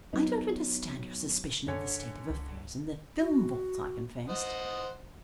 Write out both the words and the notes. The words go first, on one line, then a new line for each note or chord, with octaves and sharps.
"I don't understand your suspicion of the state of affairs in the film vaults," I confessed.
F#3 B3 D#4
F#2 D3 C#5 G#5
C#2
F#4
C5 D#5 F#5